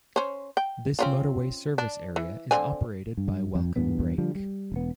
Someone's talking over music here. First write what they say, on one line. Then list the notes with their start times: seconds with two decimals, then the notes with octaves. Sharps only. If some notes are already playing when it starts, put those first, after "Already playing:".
This motorway service area is operated by Welcome Break.
0.16 C#4 C5
0.57 G5
0.99 C4 C#4 F4
1.78 D4
2.16 E3
2.51 D3 C4 G#5
3.17 G2
3.55 F2
3.76 E2 G2 A#2 B3
4.18 D3 F3 G3
4.35 G3
4.72 E1 B3